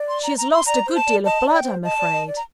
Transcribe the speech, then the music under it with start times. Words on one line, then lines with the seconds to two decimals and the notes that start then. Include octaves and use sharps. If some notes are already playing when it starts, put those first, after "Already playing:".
She has lost a good deal of blood, I'm afraid.'
Already playing: D5
0.08 C6
0.23 A#5
0.38 A#5
0.53 C6
0.66 D5 A#5
0.86 C5
0.96 A5
1.06 D5
1.25 D#5 A5
1.45 D5
1.54 G5
1.64 C5
1.83 D#5 A5
1.98 D5
2.13 D#5
2.27 D5
2.37 A#5